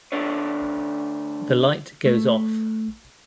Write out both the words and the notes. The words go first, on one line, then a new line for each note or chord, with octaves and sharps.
The light goes off.
D2 D4 A4 B4 C#5
A3